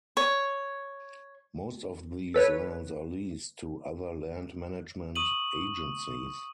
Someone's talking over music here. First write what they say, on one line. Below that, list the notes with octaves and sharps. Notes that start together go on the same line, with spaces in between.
Most of these lands are leased to other land management agencies.
C#5
A4 B4 C#5
C#6 D#6 D#7 F#7